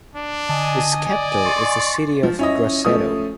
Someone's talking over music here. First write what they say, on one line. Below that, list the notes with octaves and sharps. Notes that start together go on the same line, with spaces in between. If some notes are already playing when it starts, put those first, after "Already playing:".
Its capital is the city of Grosseto.
D4
D3 D#5 G#5 A5
D5
C6 C#6 A6
F3
C#4 E4 D#5
F3 A3 C#4 D#6